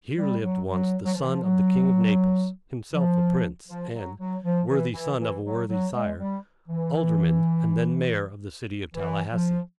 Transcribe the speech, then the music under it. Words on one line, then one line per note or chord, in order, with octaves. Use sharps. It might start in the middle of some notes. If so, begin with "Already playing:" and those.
Here lived once the son of the King of Naples; himself a Prince, and--worthy son of a worthy sire--alderman and then mayor of the city of Tallahassee.
G3
F#3
F#3
F#3
F3
E3
F3
F#3
F3
F3
F#3
F#3
F3
E3
E3
E3
F#3
F#3
G#3
G3
E3
E3
F3